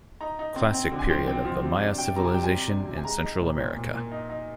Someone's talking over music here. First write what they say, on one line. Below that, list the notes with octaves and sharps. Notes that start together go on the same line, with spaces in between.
Classic Period of the Maya civilization in Central America.
D#4 A#5
D#4
C4
C4
D3
G#5
F3 G5
C4 G5
F3
C3
D4
C3 G5
C3 A#5
G#5
G3 G5
G#5
C3
D4
C3
G#5
G#3 A#5
D#4
A#2
A#2
A#2
A#2
D#4
D#4